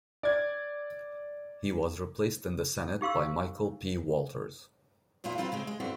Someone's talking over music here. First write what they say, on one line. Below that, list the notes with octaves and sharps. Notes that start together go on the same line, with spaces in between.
He was replaced in the Senate by Michael P. Walters.
D5 G#6
D#4 G4 F5 C6 E6
E2 A#2 A#3 F4 B4
F#3 C4 F4 A#4 B4
C#3 G#3 C4
G#3
G2 D3 B3 C4 F#4